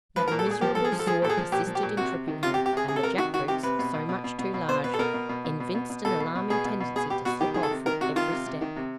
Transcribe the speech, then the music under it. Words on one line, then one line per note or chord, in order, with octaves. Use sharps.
That miserable sword persisted in tripping her, and the jack-boots, so much too large, evinced an alarming tendency to slip off with every step.
F3 B4
A#4
A#2
A4
A#2 G#4
F3 G4
F3 A4
G#4
F3
A4
F3 G#4
A#2 A4
G#4
F3
A#2 G4
F3
G4
A#2
C3 F#4
C3
D#3
C3 F4
G4
C3
G4
C3 G#4
C3 G#4
A4
C3 A#4
D#3 F#4
D#3 F#4
C3 G4
C3 B4
B2
B2
B2
B2
B2
B2
B2 C5
B2 B4
A4
B2 A#4
B2
B2
B2
B2
B2
B2
B2 A4
B2
B2
B2 G#4
B2
B2
B2 G#4
B2 G4
B2 F#4
D#3 G4
D#3 G#4
A4
C3
D#3 A#4
C3 F#4
D#3 F4
C3
C3
D#3
C3